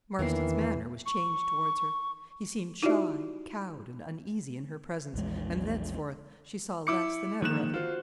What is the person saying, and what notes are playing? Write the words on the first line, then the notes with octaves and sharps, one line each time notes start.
Marston's manner was changed towards her; he seemed shy, cowed, and uneasy in her presence, and thenceforth she saw less than ever of him.
E2 D#3 E3 A#3 B3 D4 C7
C#6
D#4 E4 F#4 G4 D5 E5
A#1 E2 G#3
E4 D6 C#7
D#3 F3 G#3 A#3 F#6 E7
F4 F#4 C5